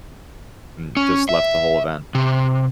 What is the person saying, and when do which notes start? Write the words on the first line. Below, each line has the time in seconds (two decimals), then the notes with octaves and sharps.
and just left the whole event.
0.97 C#4
1.29 E5
2.15 C3